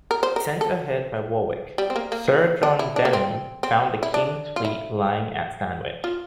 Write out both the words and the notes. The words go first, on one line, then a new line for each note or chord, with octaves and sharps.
Sent ahead by Warwick, Sir John Denham found the king's fleet lying at Sandwich.
A#4
C5
A#4
A4
G3
C4
A#3
A#3
D4
E4
D4
A#3
C4
C4
E4
D4
F4
E4
F4